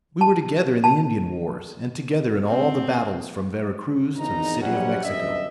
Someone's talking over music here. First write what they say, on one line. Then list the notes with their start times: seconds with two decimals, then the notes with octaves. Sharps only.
We were together in the Indian wars, and together in all the battles from Vera Cruz to the City of Mexico.
0.21 A5
0.84 A5
2.47 C4
4.18 G#1 E2 D#4 A#5
4.61 A#1 F#3 G3 C#4 F#5
5.04 G1 F#2 D#5 E5